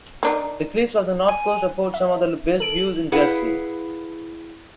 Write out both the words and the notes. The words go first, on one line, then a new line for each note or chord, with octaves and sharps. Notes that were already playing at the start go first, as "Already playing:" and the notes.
The cliffs of the north coast afford some of the best views in Jersey.
A#3 D4 D#4
G#5
E5
A4 D7 F#7
E4 G#4 B4 F5 F#5